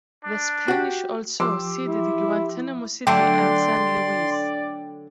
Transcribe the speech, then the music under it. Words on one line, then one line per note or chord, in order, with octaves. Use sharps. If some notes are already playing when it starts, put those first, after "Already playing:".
The Spanish also ceded Guantanamo City and San Luis.
D4
F#4 G4
F3 G4 C6 D6 E6
E4
E4
D3 F#3 A3 D5 G5 C6